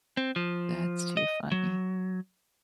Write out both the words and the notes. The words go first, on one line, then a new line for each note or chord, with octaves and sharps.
That's too funny.
C4
F3
D#5
F#3